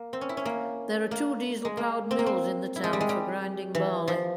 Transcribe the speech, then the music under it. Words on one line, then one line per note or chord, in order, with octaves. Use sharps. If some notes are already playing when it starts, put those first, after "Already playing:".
There are two diesel-powered mills in the town for grinding barley.
Already playing: A#3
C4
C#4
E4
C#4
A#3
A#3
G#3
A#3
C4
A#3
C4
E4
G#3
G3
G#3
G3
E3
F3